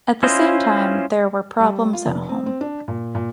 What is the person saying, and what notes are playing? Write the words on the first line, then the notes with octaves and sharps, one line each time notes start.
At the same time there were problems at home.
C#4 E4 F4 C5 D#5
G3
F4
F1
C4
C4
D4
A#2
A#2